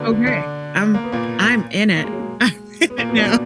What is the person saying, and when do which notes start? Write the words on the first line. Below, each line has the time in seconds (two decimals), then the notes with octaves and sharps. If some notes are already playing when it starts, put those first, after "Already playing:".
Ok. I'm I'm in it. I'm in it now.
Already playing: B2 D3 A#3 B3 D4
0.26 D3 D4
0.94 A#3
1.04 B3
1.12 A#2 A#3
1.96 A#3
2.04 G#3
2.12 F#3
2.20 G#3
2.90 B3
2.98 A#2 A#3
3.09 B2 B3
3.17 D4
3.20 B2 B3